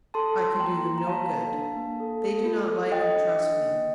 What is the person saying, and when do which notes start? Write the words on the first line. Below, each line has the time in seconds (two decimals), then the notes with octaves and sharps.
I can do them no good--they do not like or trust me.
0.14 A4 A5 C6
0.38 F4
0.56 C6
0.60 A#3 G5 A#5
0.83 A#3
0.98 A#5
1.07 A#3 F5 A5
1.30 A4
1.53 D4
1.77 A#3
2.00 A4
2.23 A4
2.45 F4
2.68 A4
2.92 A4 D#5 G5
3.15 D4
3.37 D4
3.60 A#3